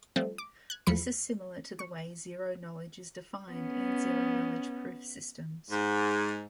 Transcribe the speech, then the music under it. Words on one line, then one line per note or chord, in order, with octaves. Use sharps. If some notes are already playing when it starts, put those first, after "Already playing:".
This is similar to the way zero-knowledge is defined in zero-knowledge proof systems.
F3 G3 A3 C4
D6
F#6 G#6
E2 F3 B5 C#7
C#6
B3 C#4
G#2